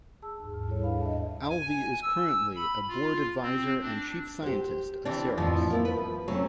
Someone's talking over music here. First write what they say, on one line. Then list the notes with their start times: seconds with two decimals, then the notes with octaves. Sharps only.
Alvey is currently a board advisor and Chief Scientist of Ceros.
0.22 G#4 A5 E6
0.40 D#2 G#2
0.54 F6
0.68 G3 E4 G#4 A4 C#5
0.83 D4 B4 F5 B5
1.01 D#5 E5 A5
1.49 G#5
2.02 E6
2.56 B5
2.89 F4
3.42 C4
3.81 D4
4.42 G4 C5
5.05 E3 C4 D4
5.38 F2 A2 E3 F3
5.70 A#3 E4
5.85 B4
6.28 F#3 A3 C4 C#4